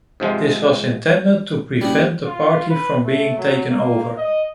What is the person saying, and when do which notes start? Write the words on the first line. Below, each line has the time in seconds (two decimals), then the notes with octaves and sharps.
This was intended to prevent the party from being taken over.
0.20 G#2 C3 F3 G#3
1.81 F#1 G3 G#4
2.25 F4
2.69 B4
3.05 A3
3.38 F#3
3.71 A#3
4.18 D#5